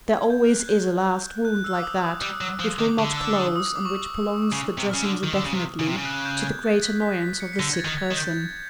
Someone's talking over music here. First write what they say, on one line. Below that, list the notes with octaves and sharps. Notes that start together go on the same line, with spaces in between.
There always is a last wound like that which will not close, and which prolongs the dressings indefinitely, to the great annoyance of the sick person.
G#6
G6
F6
F#6
G6
F#6
E6
D6
D#6
D#6
G3 E6
D#6
F#3 E6
F3 D#6
D#3 D6
D3 D6
E6
D#6
D#6
D6
C#6
D6
D#6
D#6
C#3 E6
C3
C#3 F6
D3
D#3
D3
C#3
C3
C#3
C3
C#3
F#6
G6
G#6
G6
A6
B6
B6
B6
C#7
B6
D3 A#6
G#6
A6
D#3
G#6
D#3
G6